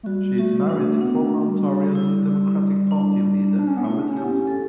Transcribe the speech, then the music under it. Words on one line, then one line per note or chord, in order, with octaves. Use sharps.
She is married to former Ontario New Democratic Party leader Howard Hampton.
A3
G3 F#4
A3 F#4
G3
A3 D4
A3
B3 D4
A3
G3
G3
E4
D4
D4
C#4
B3
A3 E4
D4
C#4
G4
B3
C#4
A4